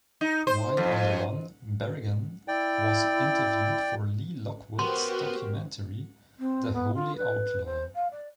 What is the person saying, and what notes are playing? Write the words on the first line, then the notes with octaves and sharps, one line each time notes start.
While on the run, Berrigan was interviewed for Lee Lockwood's documentary "The Holy Outlaw".
D#4
C5
F2
E4 D5 G5
B3 F#4 G4 A#4 C5 C6
C4
B3
F4
B4
C5
F5
D5